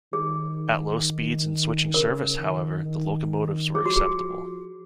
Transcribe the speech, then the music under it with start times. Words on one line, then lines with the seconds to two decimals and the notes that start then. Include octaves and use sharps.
At low speeds in switching service, however, the locomotives were acceptable.
0.13 D#3 G#4
1.94 C#3 A#4
2.39 D#3
2.85 D#3
3.75 F3 G#4
3.86 F#4
3.96 G#4